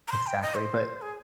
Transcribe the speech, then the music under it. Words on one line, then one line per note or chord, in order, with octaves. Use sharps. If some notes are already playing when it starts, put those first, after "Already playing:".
Exactly, but,
A#5
C6
G5
D#5
C5
G#4